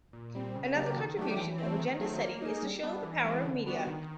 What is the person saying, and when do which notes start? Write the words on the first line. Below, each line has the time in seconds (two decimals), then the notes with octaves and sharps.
Another contribution of agenda-setting is to show the power of media.
0.13 A#2
0.35 G3 C4
0.55 C#3
0.76 F#3 A#3 D4 G4
0.96 D#3
1.17 F#3 A3 D4 G4
1.38 E3
1.58 C4
1.63 A3
1.79 D#3
2.00 F#3 A3 C4
2.20 A#3
2.42 D#4 G#4
2.63 G3
2.83 B3 D4
3.03 E3
3.24 G#3 C4 E4
3.45 D3
3.66 G3 B3 D4 F#4
3.87 D#3